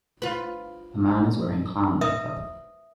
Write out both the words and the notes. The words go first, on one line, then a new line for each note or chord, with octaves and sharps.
A man is wearing clown makeup.
F4 B4
B4 D#5 E5 D#6